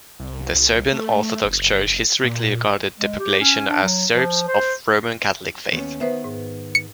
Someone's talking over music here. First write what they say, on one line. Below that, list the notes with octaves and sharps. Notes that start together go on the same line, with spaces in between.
The Serbian Orthodox Church historically regarded the population as "Serbs of Roman Catholic faith".
C2
A3
F#1
A#2
G#3
G4
C#4
D4
F#3
F3
C5
D#2 B3 C#4
D#3 B3 B4 C5 E5
G#2
C#7